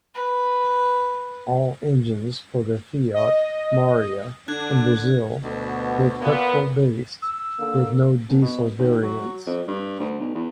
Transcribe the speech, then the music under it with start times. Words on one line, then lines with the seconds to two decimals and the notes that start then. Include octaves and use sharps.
All engines for the Fiat Marea in Brazil were petrol-based, with no diesel variants.
0.15 B4
3.14 D#5
4.48 D3 D4 F#6 G#6
5.43 D2 B2 F#4
6.21 A#2 A#3 B3
7.23 E6
7.59 D3 A#3
8.29 G1
8.42 B2
8.78 D#2
9.02 F#3
9.47 F2
9.67 G2
10.00 D2
10.20 B1
10.34 E2